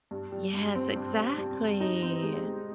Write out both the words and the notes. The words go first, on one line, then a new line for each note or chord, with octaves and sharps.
Yes, exactly.
G2
G3
G2
C4
G2
G2
G2
G3
D#4
C4
G#3
G#3